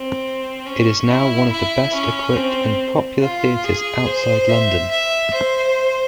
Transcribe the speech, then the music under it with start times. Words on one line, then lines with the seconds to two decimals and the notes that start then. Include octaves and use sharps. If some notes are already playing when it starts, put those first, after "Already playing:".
It is now one of the best equipped and popular theatres outside London.
Already playing: C4
0.67 C#4
1.09 E4
1.52 E4
1.94 C#4
2.36 C4
3.21 F4
3.64 G#4
4.06 C5
4.49 E5
4.91 E5
5.33 C5